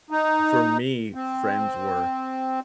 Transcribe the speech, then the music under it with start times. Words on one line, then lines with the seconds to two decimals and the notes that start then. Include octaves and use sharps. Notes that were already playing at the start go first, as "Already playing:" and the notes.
for me, friends were,
0.10 D#4
1.14 C4